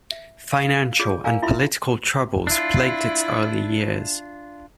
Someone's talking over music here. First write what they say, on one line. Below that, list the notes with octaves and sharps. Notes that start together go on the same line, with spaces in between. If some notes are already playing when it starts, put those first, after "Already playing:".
Financial and political troubles plagued its early years.
E5
F5
F4 G#4 C#5 D5
A#4 D5 F5 G#5 A#5
E4 F4 E5 B5 C6
D4 E4 F4